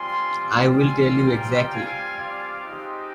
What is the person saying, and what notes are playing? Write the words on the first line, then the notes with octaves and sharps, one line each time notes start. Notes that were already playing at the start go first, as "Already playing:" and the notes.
I'll tell you exactly.
Already playing: G3 C4 F4 G#5 C6
G#5 C6
G5 A#5
F5 G#5
D5 F5
G#3 C4 D#4 G4